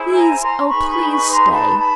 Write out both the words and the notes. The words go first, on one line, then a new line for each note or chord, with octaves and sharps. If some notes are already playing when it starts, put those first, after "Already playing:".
Please, oh! please stay.'
Already playing: E4 G#4 C5
G#5 A#5
A#5 C6
D#4 G#4 B4 B5 C#6
B5 C#6
B5 C#6
A#5 C6
A5 B5
A5 B5